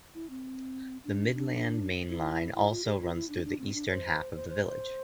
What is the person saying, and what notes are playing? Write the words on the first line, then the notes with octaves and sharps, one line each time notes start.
The Midland Main Line also runs through the eastern half of the village.
E4
C4
D4
D4
E4
E4
F4
G4
F4
E4
D4
D4
C4
D4
C5
C5
C5
C5